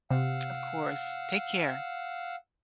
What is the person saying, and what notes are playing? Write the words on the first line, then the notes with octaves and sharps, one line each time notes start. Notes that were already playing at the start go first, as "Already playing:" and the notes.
Of course. Take care.
C3 F5 F#5 E6